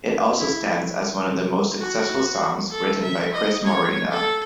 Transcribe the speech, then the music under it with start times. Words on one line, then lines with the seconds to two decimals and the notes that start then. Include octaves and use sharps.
It also stands as one of the most successful songs written by Cris Morena.
0.39 E4
1.78 F#4
2.71 A4
3.03 E5
3.33 D#5
3.65 C#5
4.11 A4